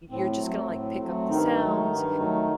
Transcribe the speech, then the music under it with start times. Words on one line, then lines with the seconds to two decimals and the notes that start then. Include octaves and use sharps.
you're just gonna, like, pick up the sounds,
0.10 A2 C4
0.40 F#3 A3
0.69 A2
1.00 F#3 A3
1.28 G2 D#3 D#4
1.59 F#3 A3
1.89 G2
2.17 F#3 A3